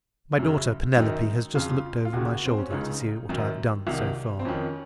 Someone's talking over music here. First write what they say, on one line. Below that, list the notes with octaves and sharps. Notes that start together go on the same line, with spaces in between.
My daughter Penelope has just looked over my shoulder to see what I have done so far.
F#2 C#3
F#2 D#3 D#4
F2 C#3 F4
F4
D#2 C#3 F#4
C4
C#4
C#2 C#3 D#4
F#2 D#3
C2 C3 D#3
C4
F2 D#3 C#4